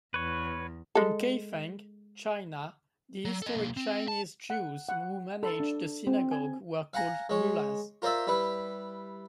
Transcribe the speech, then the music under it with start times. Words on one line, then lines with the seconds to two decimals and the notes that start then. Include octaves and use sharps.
In Kaifeng, China, the historic Chinese Jews who managed the synagogue were called "mullahs".
0.14 E2 B4 C#5
0.95 G#3 A4
3.25 F#3
3.42 A4 D#5
3.55 B1 A#3
3.77 C4
4.08 A5
4.50 F#5
4.89 F#5
5.43 A4
5.60 D4
6.07 C4
6.31 G#5
6.94 F5 F#5 G#5 A#5
7.29 G#3 C#5
8.02 F4 A#4 C5 D5 E5
8.27 G3 E4 B4